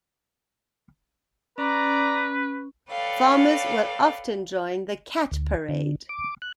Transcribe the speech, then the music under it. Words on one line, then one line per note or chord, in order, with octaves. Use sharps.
Farmers will often join the "Cat Parade".
C#4 B4 D5 A#5
A4 B4 C#5 D5 F5 G5
D2
D3
D6
F#6